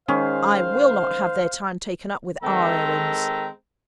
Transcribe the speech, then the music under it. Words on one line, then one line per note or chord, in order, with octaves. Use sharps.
I will not have their time taken up with our errands.
D#3 G#3 C#4 G#4 C5 F5
D#3 G#3 C4 A4 A#5